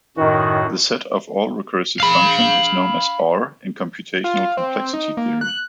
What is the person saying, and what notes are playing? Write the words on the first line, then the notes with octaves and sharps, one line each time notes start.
The set of all recursive functions is known as R in computational complexity theory.
F#2 A2 D#3 F#4
F5 B5
F4
C4
D#4
A#3
F#6